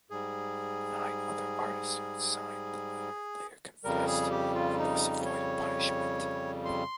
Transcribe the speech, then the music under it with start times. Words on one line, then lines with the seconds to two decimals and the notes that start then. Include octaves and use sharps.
Nine other artists who had signed the letter later "confessed" and thus avoided punishment.
0.10 G#2 G3 G#4
3.84 F2 C#3 G3 A#4
4.07 G#4
4.31 G4
4.55 F4
4.78 D#4
5.25 C#5
6.65 C6